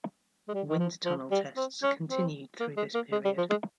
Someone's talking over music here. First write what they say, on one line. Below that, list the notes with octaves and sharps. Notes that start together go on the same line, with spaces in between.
Wind tunnel tests continued through this period.
G#3
G3
D#3
F3
F3
G3
C4
C#4
C4
A#3
G#3
A#3
G#3
G3
F3
G#3